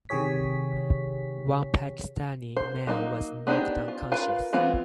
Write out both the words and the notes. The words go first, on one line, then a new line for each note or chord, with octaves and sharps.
One Pakistani man was knocked unconscious.
C3 D#3 G4 G#4 C#5 B6
C5
F#3 A#3 D#4
B3 D4 D#4 G4 C5
F4
F4 A#4 B4 F5
E3 B3 C4 F4